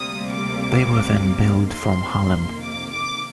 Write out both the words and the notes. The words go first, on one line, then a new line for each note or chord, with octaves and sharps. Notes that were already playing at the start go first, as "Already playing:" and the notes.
They were then billed from Harlem.
Already playing: D2 C3 G3 A#3 D#6
D6
F2 C3 D#3 A#3 C6
D6
D6